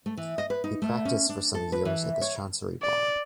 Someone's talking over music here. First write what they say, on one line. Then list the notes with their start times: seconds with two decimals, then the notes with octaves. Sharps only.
He practiced for some years at the Chancery Bar.
0.06 A3
0.17 E3
0.38 D#5
0.50 B4
0.64 D#4
0.82 A3
1.05 C#4
1.29 D4
1.54 A4
1.72 B4
1.85 E3
2.21 C#5
2.82 D5